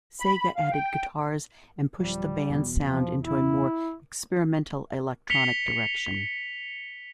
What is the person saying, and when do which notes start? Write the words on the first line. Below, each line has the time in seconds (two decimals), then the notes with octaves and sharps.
Sega added guitars and pushed the band's sound into a more experimental electronic direction.
0.20 B5
0.56 F5
0.71 G5
2.00 D1 F3 G3
2.50 E2 B2
2.84 F3
3.22 E4
5.30 B6 C#7 F7 G7